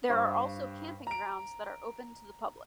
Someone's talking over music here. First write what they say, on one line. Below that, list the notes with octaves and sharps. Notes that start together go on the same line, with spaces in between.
There are also camping grounds that are open to the public.
G2 C5 F5 C#6
A#5 D7